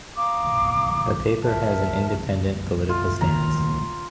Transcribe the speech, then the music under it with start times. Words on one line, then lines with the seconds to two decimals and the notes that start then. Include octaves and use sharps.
The paper has an independent political stance.
0.16 F5 A#5 D6 D#6
1.43 A#4 E5 A5
2.89 F4
3.21 D2 D#3 A#3 A#5